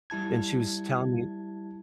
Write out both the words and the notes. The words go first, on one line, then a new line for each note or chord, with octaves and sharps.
and she was telling me
G3 E4 A5 G#6